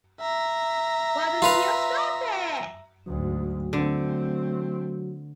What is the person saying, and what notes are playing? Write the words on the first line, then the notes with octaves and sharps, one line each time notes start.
Why didn't you stop it?
E5 A#5
F4 B4 F5
D2 G#2 F#3
D3 A3 C4